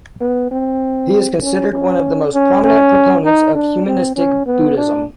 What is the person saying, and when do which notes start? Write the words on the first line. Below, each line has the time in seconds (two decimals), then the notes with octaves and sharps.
He is considered one of the most prominent proponents of Humanistic Buddhism.
0.21 B3
0.51 C4
1.42 C#4
1.73 C#4
2.33 C#4
2.64 C#4
3.25 D#4
3.55 D4
3.86 C4
4.16 C#4
4.46 B3
4.77 D4